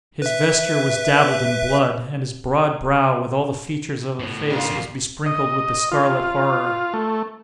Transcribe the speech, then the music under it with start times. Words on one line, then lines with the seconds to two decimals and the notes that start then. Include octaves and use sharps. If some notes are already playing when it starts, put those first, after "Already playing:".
His vesture was dabbled in blood--and his broad brow, with all the features of the face, was besprinkled with the scarlet horror.
0.22 B4 E5
4.19 A2 B3
4.50 C#3 A#3 F4
4.68 F2
5.26 D#5
5.92 F4
6.94 A3